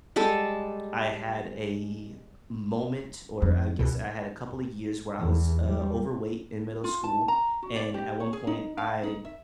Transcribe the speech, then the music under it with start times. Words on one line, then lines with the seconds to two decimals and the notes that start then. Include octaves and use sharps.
I had a moment or I guess I had a couple of years where I was, uh, overweight in middle school. And at one point, I,
0.16 G3 G#3 A4 A5
3.42 F2
3.79 C#2 B2
5.19 E2
5.63 G3
6.84 F4
7.04 A5
7.28 A#5
7.63 F#4
7.76 D5
7.94 G4
8.20 C#5
8.33 G#4
8.47 D#4
8.78 F5
9.03 D#4
9.25 E5